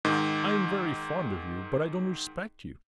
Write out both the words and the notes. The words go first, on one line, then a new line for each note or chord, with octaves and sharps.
I am very fond of you, but I don't respect you.
G#2 D#3